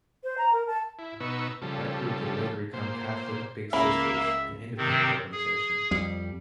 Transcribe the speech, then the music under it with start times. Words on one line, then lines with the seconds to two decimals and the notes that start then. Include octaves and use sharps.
That group would later become Catholic Big Sisters, an independent organization.
0.24 C5
0.38 A#5
0.53 A#4
0.67 A5
0.99 E4
1.20 B2 D#4 B4 C#6 E6
1.62 C#3 F3 G3 A4
2.73 A#2 C5
3.73 C#2 A#3 E4 E5
4.77 C3 D#3 C4
5.31 G#4
5.91 F2 G3